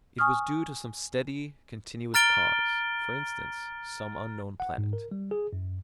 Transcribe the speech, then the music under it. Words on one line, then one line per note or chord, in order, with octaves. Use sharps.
It was due to some steady continuous cause--for instance, some unknown planet.
G#5 C#6 D#6 F6
A#5 F6 A6 D7 G7
F#5
G#2
A#4
G3
G#4
F#2